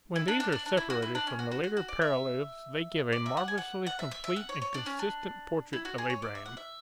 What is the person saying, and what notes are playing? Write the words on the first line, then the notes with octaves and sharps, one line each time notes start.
When these are separated from the later parallels they give a marvelously complete and consistent portrait of Abraham.
E4
D4
D4
D4
D4
E4
F#4
E4
D4
C#4
F#4
F#4
F#4
F#4
D5
E5
D5
E5
F#5
G#5
F#5
F#5
E5
E5
E5
F#5
C#5
C#5
D4
C#4
D4
E4
F#4
G#4
C#5
D5
E5
F#5
E5